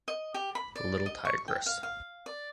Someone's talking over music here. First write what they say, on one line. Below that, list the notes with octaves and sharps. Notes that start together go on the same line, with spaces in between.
The little tigress.
D#5
G4
B5
D5
D#5
C#6
G5
F5
F5
D5